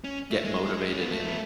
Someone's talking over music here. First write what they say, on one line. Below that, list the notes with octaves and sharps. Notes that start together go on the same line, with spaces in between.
get motivated in
C#4
A3
G#3
C#4
B3
A3
B3